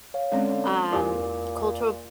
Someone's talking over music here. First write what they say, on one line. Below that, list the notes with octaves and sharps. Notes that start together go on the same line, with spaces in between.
um, cultural
C#5 F5
D3 G#3 C4 C#4
E2 A#2 E4 G4 G#5 D6